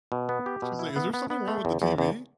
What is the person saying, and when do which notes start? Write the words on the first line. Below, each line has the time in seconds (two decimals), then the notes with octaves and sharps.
She's like, "Is there something wrong with the TV?"
0.12 B2
0.29 B3
0.46 G4
0.62 B2
0.79 E4
0.96 B3
1.14 B3
1.30 B3
1.48 A3
1.65 E2
1.82 E2
1.98 E2